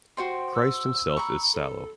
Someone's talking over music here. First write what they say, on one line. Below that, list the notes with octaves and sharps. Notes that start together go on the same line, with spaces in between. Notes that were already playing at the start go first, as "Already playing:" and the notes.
Christ himself is sallow.
F#4 C5 G5 C6
E6
A#5 B5 C#6
A4